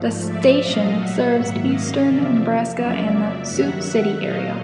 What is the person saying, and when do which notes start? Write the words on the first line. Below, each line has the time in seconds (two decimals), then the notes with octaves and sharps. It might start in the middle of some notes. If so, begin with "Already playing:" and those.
The station serves eastern Nebraska and the Sioux City area.
Already playing: G#2 F3 A3
0.25 D5 E5
0.62 A#2 F#3 A3 D#5 F5
0.97 E5 F#5
1.32 G#2 D#3 F#3 A#3
1.68 D#5 F5
2.03 E2 C3 F3 D5 E5
2.75 F2 C#3 F#3 A#3 D5 E5
3.46 G2 D#3 F#3 E5 F#5
4.17 A#2 F#3 A3 D#5 F5